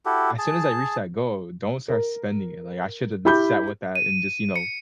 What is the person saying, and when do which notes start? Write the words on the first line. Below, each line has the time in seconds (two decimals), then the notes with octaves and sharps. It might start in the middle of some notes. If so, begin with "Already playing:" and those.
as soon as I reach that goal, don't start spending it, like, I shoulda just sat with that and just, you know,
0.06 E4 F#4 G4 A4
0.38 G#4 A5
1.88 A#4
3.25 E4 G4 B5 G6
3.95 D#7
4.56 C#7